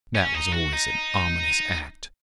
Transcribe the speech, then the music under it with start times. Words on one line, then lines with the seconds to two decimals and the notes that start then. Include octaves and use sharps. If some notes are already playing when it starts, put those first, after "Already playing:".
That was always an ominous act.
0.15 C#4
0.34 D#4
0.54 F#4
0.73 D#4